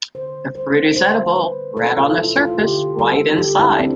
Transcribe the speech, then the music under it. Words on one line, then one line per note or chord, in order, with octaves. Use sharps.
The fruit is edible, red on the surface, white inside.
D3 C5
G3 C5
D3 C5
G3 B4
B2 A4
F4
A3 E4
F4
D3 G4
G3 A4
D3 G4
E4
D4
A3 C4